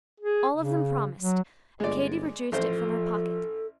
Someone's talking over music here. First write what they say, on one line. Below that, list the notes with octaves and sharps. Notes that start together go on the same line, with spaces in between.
All of them promised, and Katy produced it from her pocket.
G#4
C#3
F#3
G1 G#3 D5
A1 F3 A4 C5